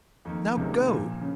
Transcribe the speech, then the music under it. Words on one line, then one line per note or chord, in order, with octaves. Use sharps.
Now go!
F2 D#3 A#3
C#2 C3 D#3 A#3
A#1 A#2 F3
C#3